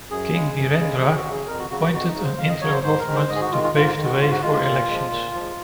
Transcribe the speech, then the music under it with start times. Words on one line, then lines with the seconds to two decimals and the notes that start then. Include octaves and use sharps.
King Birendra appointed an interim government to pave the way for elections.
0.11 F#2 G#4
0.33 C#3 G#3
0.56 F#2
0.79 C#3 G#3
1.01 F2 G#4
1.16 F#4
1.24 C#3 F#3
1.32 G#4
1.47 F2 A#4
1.59 F#4
1.70 C#3 F#3 F#4
1.81 F#4
1.93 F2 F#4
2.08 D#4
2.15 C#3 F#3
2.23 C5
2.38 F2 F5
2.49 D#5
2.61 C#3 F#3 C#5
2.72 C5
2.83 G#2 C5
2.99 A#4
3.07 D#3 G#3
3.14 C5
3.29 G#2 D#5
3.35 G#4
3.41 F#4
3.52 D#3 G#3 F4
3.64 F4
3.75 G#2 F4
3.97 D#3
4.02 G#3 F#4
4.20 G#2 F4
4.31 F#4
4.42 D#3 G#3 F4
4.66 A#2
4.89 F3 G#3
5.11 A#2
5.35 F3 G#3